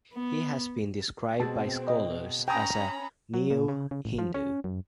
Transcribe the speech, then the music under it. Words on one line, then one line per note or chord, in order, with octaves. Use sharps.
He has been described by scholars as a "neo-Hindu".
B3
B2 G#3 C4 A5
D#5
C#4 G5 G#5 A#5 B5 D#6 A#6
F#3
A#2
C#3
C#3
A1
F3
C#4
F#2